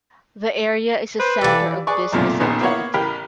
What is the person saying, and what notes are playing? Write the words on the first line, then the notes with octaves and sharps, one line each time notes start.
The area is a centre of business activity.
B4 C5
E3 G4 A4 D5 F5 G5
G#4 B4 D5 C#6
B1 F2 A#2 D3 F3 A3
A#1 A#2 D#3 B3 C#4 D#4
A#3 B3 E4 C#5 F5 F#5
A1 G4 A#4 G5 B5